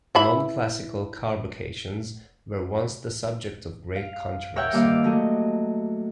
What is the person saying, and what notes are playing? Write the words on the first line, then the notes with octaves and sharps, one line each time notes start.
"Non-classical" carbocations were once the subject of great controversy.
E3 E4 B5
F5
A#4 C#5 E5 F#5 G5
G2 D#3 A#3 D5 F5 E6
D3 F#3 A3 D#5